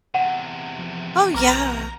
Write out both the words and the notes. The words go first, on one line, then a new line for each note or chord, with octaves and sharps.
Oh, yeah.
E2 C3 F#5
F3
B1 B4 A#5 D6 F6